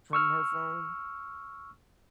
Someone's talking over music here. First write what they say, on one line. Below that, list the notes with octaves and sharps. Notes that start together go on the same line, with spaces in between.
from her phone,
C#6 E6 F6